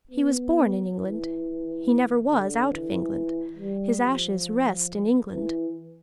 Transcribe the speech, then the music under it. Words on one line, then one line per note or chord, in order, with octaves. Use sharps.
He was born in England; he never was out of England; his ashes rest in England.
B3
E3
D3
E3
G3
F3
E3